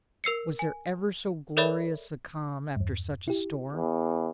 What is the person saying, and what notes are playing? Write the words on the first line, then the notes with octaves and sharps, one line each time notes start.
Was there ever so glorious a calm after such a storm?
A#4 E6 C7 C#7
G#5
A4 A#4 C#5 D5 E5 B5
E2 G2
E4 G4
E2